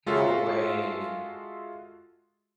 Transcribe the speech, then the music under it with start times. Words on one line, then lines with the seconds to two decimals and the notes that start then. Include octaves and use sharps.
No way.
0.06 G#3 F4 F#4 A4 E5 F5